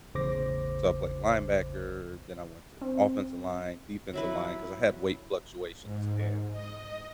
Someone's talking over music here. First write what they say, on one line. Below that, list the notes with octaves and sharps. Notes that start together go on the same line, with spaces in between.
so, I played linebacker, then I went to offensive line, defensive line, 'cause I had weight fluctuations, and
A1 E2 C#3 C5 D6 A#6
C4
F#3 E4 B4
G#2
D#5